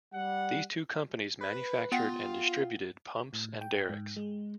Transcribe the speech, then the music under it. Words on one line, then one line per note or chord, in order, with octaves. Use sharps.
These two companies manufactured and distributed pumps and derricks.
G3 F#5
B4
B3 F4 F#5 G5
A2
G5
G#2
G#3